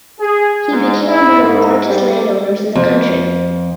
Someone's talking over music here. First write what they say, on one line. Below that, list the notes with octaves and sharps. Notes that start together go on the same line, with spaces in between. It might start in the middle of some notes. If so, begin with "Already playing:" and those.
He became one of the largest landowners in the country.
G#4
G#2
E4
G#2
G3
F2